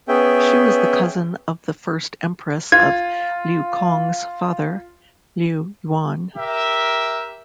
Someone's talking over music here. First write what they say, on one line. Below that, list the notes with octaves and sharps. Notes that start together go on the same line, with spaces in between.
She was the cousin of the first empress of Liu Cong's father Liu Yuan.
B3 C#4 G#4 E5 G5
F4 G#6
G4 A#4 E5